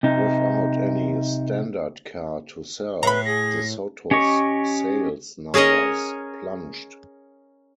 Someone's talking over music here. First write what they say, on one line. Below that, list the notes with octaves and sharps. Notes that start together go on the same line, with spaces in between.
Without any "standard" car to sell, DeSoto's sales numbers plunged.
C3 D#4
A2 B4 A#5 B5
G#4 A#6
C#4 G4 D#5 C#6
C#4 G#4 A#4 C#5 D#5